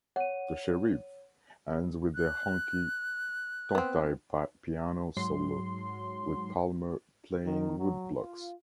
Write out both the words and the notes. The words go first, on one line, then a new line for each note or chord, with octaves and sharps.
"The Sheriff" ends with a honky tonk-type piano solo with Palmer playing woodblocks.
C#5 F#5 D#7
F#6
B3 C4
G#2 F#3 C6
D#3
F#3
F4